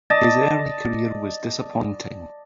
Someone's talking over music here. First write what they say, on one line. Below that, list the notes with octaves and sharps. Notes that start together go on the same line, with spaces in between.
His early career was disappointing.
D5 D#5 A5